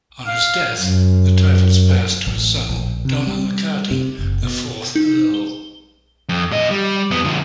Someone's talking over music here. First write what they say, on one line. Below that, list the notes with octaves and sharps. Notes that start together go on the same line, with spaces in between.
On his death the titles passed to his son Donough MacCarty, the fourth Earl.
F5
F#2
A1
A#1
C3
G3
C3
F#1
B2
D#4
G7
F2
A#2 D#5
G3
F2 B3
D3 F3